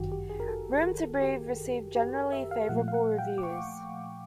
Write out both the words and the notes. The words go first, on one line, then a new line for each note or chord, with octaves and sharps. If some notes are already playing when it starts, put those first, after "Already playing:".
"Room to Breathe" received generally favourable reviews.
Already playing: G1 F#2 D#3 F#4 G4
G4
G#4
A#4
A4
G4
G4
A#4
E5
F5
A#2 F3 A3 F#5
F5
F#5
G5
D6
C#6